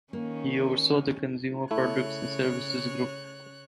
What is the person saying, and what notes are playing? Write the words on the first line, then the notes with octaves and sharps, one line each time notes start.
He oversaw the Consumer Products and Services Group.
D#3 A#3 C#4
C#3 A3 E4 C#5 F#6